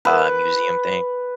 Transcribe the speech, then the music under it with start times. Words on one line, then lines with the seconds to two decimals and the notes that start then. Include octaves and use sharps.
uh, museum thing?
0.05 B4